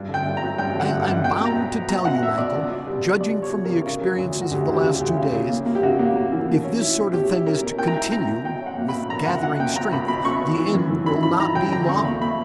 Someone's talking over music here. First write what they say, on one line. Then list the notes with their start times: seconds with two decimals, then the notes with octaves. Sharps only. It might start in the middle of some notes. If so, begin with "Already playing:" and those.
"I am bound to tell you, Mankell, judging from the experiences of the last two days, if this sort of thing is to continue--with gathering strength!--the end will not be long."
Already playing: G2
0.08 D3
0.14 G5
0.25 G2
0.37 A#5
0.42 F#3
0.58 G2 G5
0.75 D3 F#5
0.91 G2
1.02 F#5
1.07 G2
1.24 B2 G5
1.40 B2
1.45 A#5
1.56 B3
1.73 B3
1.89 B2 A#5
2.05 B2 F#5
2.22 B2 E5
2.38 B2 D5
2.55 C#2
2.71 B2
2.87 G3
3.04 B3
3.20 B2 D5
3.37 G3
3.42 C#5
3.53 B2
3.65 C#2 A#4
3.86 C#3
4.02 F#3
4.18 D2
4.35 F#3
4.42 F#4
4.51 D2 G4
4.67 D2
4.74 G4
4.85 C#3
4.95 G4
5.01 D2
5.17 C#3
5.33 C#3
5.49 A#3
5.66 A#3
5.75 G4
5.83 C#3 F#4
5.99 A#3
6.16 A#3
6.32 E3
6.48 B2
6.64 C#4
6.81 E4
6.98 C#4
7.13 B2 G4
7.30 E4
7.46 C#4 A#4
7.63 B2
7.78 B2 G5
7.88 A#5
7.96 E4 G5
8.12 B2 A#5
8.28 B2
8.45 B2 G5
8.61 C#4
8.66 F#5
8.78 A#3
8.88 B5
8.94 A#3
9.10 F#3 A#5
9.26 C#2 F#5
9.43 B2 F#5
9.59 A#3 G5
9.75 B2 A#5
9.92 C#2 B5
10.08 B2 B5
10.25 B2 C#6
10.41 B3
10.58 E3
10.75 F#2
10.91 E3
11.06 E3 B5
11.23 E3 B5
11.40 E3 A#5
11.55 F#2 G5
11.72 D3 A#5
11.88 E2 C#6
12.05 A#3 B5
12.21 A#3 B5